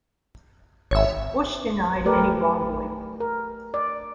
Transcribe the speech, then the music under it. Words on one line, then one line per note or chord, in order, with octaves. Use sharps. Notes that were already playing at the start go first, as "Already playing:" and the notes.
Bush denied any wrongdoing.
G#1 C#5 E5
A3 G4 A#4 B4 D5
A#4
D5